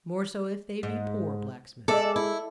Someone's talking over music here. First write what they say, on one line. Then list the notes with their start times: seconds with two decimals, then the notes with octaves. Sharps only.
"More so if they be poor blacksmiths."
0.83 G#2
1.88 G#3 A4 D5 E5
2.16 E4